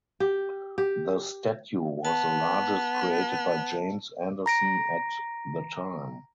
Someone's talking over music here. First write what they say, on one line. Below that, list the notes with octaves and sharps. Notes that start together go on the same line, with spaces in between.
The statue was the largest created by James Anderson at the time.
G4
G4
B3 A5
A#5 A#6 D7